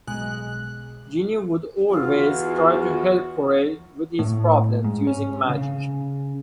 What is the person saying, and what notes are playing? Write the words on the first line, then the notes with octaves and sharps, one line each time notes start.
Jeannie would always try to help Corey with his problems, using magic.
B1 B2 G#3 F#6
E2 F4 F#4
A2
G#2
C#4
C#3